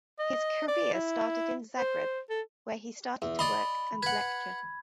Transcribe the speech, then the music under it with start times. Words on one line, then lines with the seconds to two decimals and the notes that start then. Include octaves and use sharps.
His career started in Zagreb, where he started to work and lecture.
0.19 D#5
0.68 D5
0.94 E4
1.78 C5
2.30 A4
3.22 E2
3.39 D5 D#5 B5 C6
4.03 B4 F#5 G#6